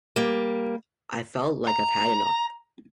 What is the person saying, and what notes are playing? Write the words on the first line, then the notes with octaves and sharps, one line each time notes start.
I've felt like I've had enough.
G3 A#3
A#5